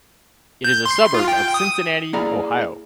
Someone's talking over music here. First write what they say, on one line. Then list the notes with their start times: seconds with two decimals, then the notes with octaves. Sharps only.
It is a suburb of Cincinnati, Ohio.
0.64 G6
0.85 C6
1.14 F4
1.28 G5
1.54 D#6
2.13 A#3 E4 G#4 D5 F5 A#5